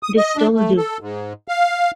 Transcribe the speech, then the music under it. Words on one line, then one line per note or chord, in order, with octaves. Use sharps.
They still do.
D#6
D#5
D4
A3
A4
G#2
F5